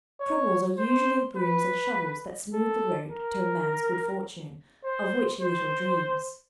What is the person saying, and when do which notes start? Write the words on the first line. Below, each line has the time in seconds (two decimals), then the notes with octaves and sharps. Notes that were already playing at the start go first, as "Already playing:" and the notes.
Troubles are usually the brooms and shovels that smooth the road to a man's good fortune, of which he little dreams.
0.20 C#5
0.78 C5
1.36 B4
2.53 A4
3.10 A#4
4.84 C5
5.41 C5